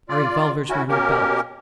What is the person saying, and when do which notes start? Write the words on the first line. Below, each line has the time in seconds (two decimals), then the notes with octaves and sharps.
Our revolvers were in our belts.
0.09 F4 D5
0.69 C#4 E4 F#4
0.89 B2 A#3 C#4 G4 A#4